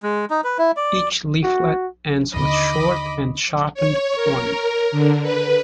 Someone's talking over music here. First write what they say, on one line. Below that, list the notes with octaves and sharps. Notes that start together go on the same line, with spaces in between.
Each leaflet ends with short and sharpened point.
G#3
D#4
B4
E4
D5
F#4
D#2 D3 D#5 B5 D6
C#5
A#4
D3
B4